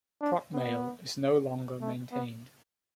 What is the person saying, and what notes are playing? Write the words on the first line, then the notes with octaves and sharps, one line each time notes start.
Procmail is no longer maintained.
D4
B3
A3
B3